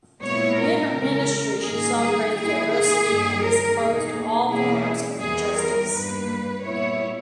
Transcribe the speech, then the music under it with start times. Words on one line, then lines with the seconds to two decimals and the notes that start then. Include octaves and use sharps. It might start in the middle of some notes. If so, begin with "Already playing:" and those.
In her ministry she celebrates diversity and is opposed to all forms of injustice.
0.21 A#2 G#3 B3 E4 C#5
0.57 A#4
0.92 E2 C#3 G#3
1.63 G#2 D#3 G3 A#3 G#4
2.00 G#4
2.35 D#3 A#3 E4 G#4
2.71 G#4
3.06 G2 D#3 A#3
3.42 A#4
3.78 E2 B2 A#3 D#4 G#4
4.49 E2 B2 A#3 C#4 E4 G#4
5.21 E2 D#3 G3 B3 G#4
5.57 A#4
5.92 G2 G3 A#3 B4
6.63 A#2 G3 B3 E4 C#5